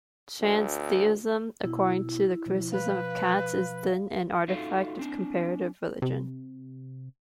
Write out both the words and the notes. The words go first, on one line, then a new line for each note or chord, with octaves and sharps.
"Transtheism", according to the criticism of Katz, is then an artifact of comparative religion.
D2
B2 E4
B2 F3
B4 F5
D#4 F4 F#4 A4 E5 F5
C4 D4
C3